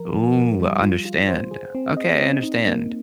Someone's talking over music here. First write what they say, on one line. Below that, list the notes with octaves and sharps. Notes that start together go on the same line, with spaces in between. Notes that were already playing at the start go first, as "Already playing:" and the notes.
Ooh, I understand. Okay, I understand,
Already playing: F3 A#4
F3
F3
G3
F4
F4
C5
G#4
C4
D#5
C4
D#4
A#3